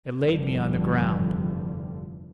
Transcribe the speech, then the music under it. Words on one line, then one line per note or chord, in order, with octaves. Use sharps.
It laid me on the ground.
F1 E2 G2 D3 F3 G3